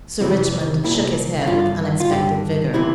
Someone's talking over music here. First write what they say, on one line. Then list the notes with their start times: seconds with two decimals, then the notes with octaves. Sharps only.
Sir Richmond shook his head with unexpected vigour.
0.20 F2 C3 E3
0.84 C2 A#2 E4
1.47 G2 D3 F4
2.00 F4
2.10 G2 D3 G4
2.74 C3 E3 E4